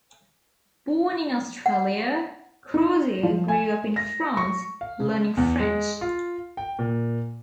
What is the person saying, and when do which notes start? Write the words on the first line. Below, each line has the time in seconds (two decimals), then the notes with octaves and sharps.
Born in Australia, Crozier grew up in France, learning French.
1.66 F#5
2.74 D#4
3.23 F3
3.48 G#5
3.96 A#6
4.37 C#6
4.81 F5
5.00 C#3
5.37 E2
5.60 G#3
6.01 F4
6.57 G5
6.79 A#2